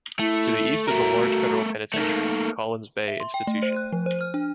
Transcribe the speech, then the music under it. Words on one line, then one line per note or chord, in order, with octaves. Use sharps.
To the east is a large federal penitentiary, Collins Bay Institution.
A3 E4
A3 F#4 A#4
A3 A#3 D#4
E5
C6
G5
A3
C5
F#6
F3
C5
F6
D4